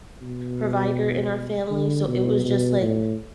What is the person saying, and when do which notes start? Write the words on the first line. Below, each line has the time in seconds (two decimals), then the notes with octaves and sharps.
provider in our family, so it was just, like,
0.22 B2
1.70 D3
2.07 B2
2.45 B2
2.81 A2